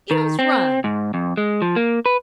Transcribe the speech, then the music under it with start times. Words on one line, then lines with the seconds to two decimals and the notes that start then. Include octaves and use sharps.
"Eels run!"
0.11 D#3
0.39 C4
0.84 G#2
1.14 F2
1.37 G#3
1.62 F3
1.76 A#3
2.06 B4